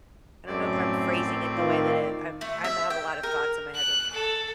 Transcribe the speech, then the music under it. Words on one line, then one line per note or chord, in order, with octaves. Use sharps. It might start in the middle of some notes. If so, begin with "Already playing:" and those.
I don't know if I'm phrasing it the way that it I'm I'm have a lot of thoughts in my head right now,
F#2 A2 C4 D5
D#3 F4
A3
E5
G5
A#4
F#6
A4